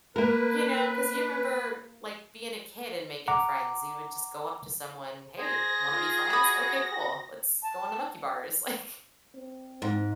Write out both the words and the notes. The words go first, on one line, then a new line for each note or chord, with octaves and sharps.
You know, 'cause you remember, like, being a kid and making friends, you would just go up to someone, "Hey, wanna be friends? Okay, cool. Let's go on the monkey bars," like,
A#3 A#4 B4
F#5 A#5 D6
G#4 C5 A#6
F4
F#4 B5 D#6
A5
C4
G#2